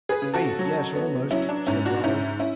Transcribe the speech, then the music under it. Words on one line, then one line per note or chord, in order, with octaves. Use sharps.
"Faith, yes, almost," said Raoul.
G#4 B4
C#3
F#4 A4
F#3
B3
F#3 C#4 E4
D4
G#2 C#4 E4
D4 F#4
G#2 C#4 E4
C#4 E4